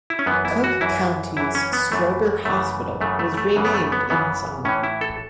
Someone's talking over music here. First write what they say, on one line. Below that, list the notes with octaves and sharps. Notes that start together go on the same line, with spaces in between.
Cook County's Stroger Hospital was renamed in his honor.
E4
C#4
F#2 E3 B3
E4
F#4
F#2 E3 E4
F#2 E3 E4
C#4
B3
F#2 E3 A3
F#2 C#3 E3 A3
F#2 C#3 E3 A3
A3
A3
F#2 C#3 E3
B3
A3
B3
F#2 C#3 E3 B3
A2 E3 C#4
E4
A4